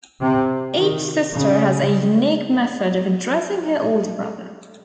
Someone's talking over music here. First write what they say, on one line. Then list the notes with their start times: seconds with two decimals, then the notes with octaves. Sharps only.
Each sister has a unique method of addressing her older brother.
0.21 C3
0.77 D#3
1.33 C#3